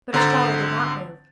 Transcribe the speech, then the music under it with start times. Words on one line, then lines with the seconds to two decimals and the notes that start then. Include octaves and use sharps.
But Estralla did not move.
0.13 G#1 D3 C5 A#5 A6